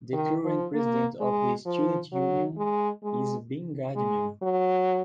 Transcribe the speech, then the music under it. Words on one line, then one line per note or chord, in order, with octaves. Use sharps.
The current president of the Student Union is Ben Gardiner.
D#3
F3
A#3
G#3
F3
F#3
G#3
G#3
G#3
F#3